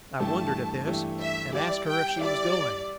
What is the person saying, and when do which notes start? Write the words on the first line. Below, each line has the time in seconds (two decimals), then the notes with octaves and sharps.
I wondered at this, and asked her if she was going.
0.19 G2 E3 A3 E4 G4 A5
0.86 G2 E3 A3 E4 G4
1.20 E5
1.53 G3 E4 G4 D5 E5
1.86 G5
2.21 G3 E4 G4 D5 E5